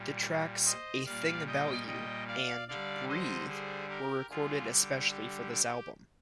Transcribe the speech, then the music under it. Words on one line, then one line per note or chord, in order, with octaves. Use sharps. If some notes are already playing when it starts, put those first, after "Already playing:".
The tracks "A Thing About You" and "Breathe" were recorded especially for this album.
Already playing: A#2 G3
C5 D#5
A#2 G3 D5 F5
D#5 G5
D#5 G5
D5 F5
D3 G3 D5 F5
C5 D#5
G#4 C5
G4 A#4
D3 G3 F4 G#4
G4
G4
G4